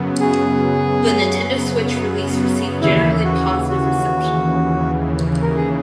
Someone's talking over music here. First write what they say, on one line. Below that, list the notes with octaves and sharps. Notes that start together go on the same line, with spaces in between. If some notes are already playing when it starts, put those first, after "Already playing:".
The Nintendo Switch release received generally positive reception.
Already playing: F#2 C#3 F#3 B3
G#4
D#2 C#3 E3 E4
F#4
F#4
A#4
G#4